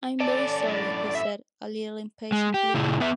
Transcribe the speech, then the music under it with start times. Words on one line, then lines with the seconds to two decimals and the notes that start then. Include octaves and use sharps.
"I'm very sorry," he said, a little impatiently.
0.20 C#4 A4 D5
0.66 F#2 A2
1.15 E5
2.32 G#3
2.54 G4
2.74 A#2 C#3 E4 G#4
3.00 B3 B4 E5